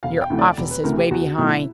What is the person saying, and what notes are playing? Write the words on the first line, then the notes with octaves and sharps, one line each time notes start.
Your office is way behind.
E1 F5
G5
D2 C3 E3 A3
D5
E1
B4
D2 C3 E3 A3 A#4
G4
E2 F#4
B2 F#3 A3 E4